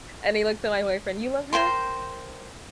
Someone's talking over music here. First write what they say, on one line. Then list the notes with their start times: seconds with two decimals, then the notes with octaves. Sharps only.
and he looks at my boyfriend, "You love her?"
1.53 A#4 C5 G5 C6